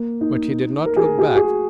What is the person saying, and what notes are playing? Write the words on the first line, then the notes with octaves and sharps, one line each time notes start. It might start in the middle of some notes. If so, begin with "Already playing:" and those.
But he did not look back.
Already playing: A#3
D#4
A#4
G#4
A#4
G#4
F#4
G#4